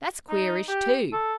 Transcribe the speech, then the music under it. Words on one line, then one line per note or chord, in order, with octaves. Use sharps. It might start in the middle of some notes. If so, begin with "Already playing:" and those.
That's queerish, too.
D#4
G4
A4